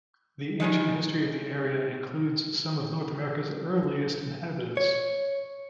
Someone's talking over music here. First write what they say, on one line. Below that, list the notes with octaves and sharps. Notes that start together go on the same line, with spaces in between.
The ancient history of the area includes some of North America's earliest inhabitants.
D#3 G3 G#3 D#4
C#5